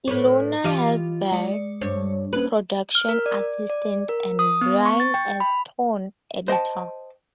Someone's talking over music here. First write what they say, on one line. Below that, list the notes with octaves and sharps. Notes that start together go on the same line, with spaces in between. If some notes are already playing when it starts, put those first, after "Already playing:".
Ilona Herzberg, Production Assistant and Brian Elston, Editor.
A2 B4 C#5
E3 F4 G4 D#5
G#3 D5 C#7
G2 C#5
A#3 C#4 B4
F6
A#4
D5
D5
A#4
D#6
B3
C#6
A6
G5
B5
C5 D#5 G5 A5